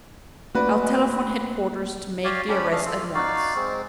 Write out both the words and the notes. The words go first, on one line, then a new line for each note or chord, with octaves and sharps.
"I'll telephone headquarters to make the arrest at once."
A3 A#3 C#4 F#4 B4 D5
G4 C#5 D5 F5
C#4 D4 G4 B5
A3 D4 D#5 F5
F4 A4
D#4 F#4 D5 F5
G#3 C4